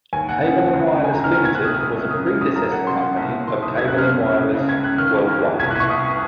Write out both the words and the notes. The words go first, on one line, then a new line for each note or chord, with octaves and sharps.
Cable and Wireless Limited was a predecessor company of Cable and Wireless Worldwide.
D#2 G#5
D#2 F#5
C#3
D#2
C#2
C#3
C#2 G#5
A#5
C#2
F6
D#3 F6
G#6
C#2 F#6
C3 D#6
F6
C#2 D#6
F#2
C#3 D#6
F#2 F6
C#3 D#6
F#2 A#5
F#2 F#5
C#3 C6
C#3
C2
C2
D#3 C6
C2 D#6
F#2 G#6
F#6
C#3
F6
C#3
C#3
C#3
C#3
C#2 G#6
C#3 F#6
D#3 F6
F2
F2
F2
C2 G#6
F#6
C2
C#6
C2 D#6